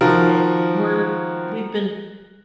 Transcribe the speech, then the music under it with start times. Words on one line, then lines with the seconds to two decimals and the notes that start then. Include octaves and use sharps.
it we're we've been f
0.01 D#3 F3 F4 F#4 A#4